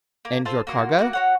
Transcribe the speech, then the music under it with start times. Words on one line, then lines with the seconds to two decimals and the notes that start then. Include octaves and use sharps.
"And your cargo?"
0.25 A#3
0.45 F4 A4 C5 E6
0.67 A#3 F#4 C6
0.99 A#3 F#4 F#6
1.13 F#4 C#5 F#5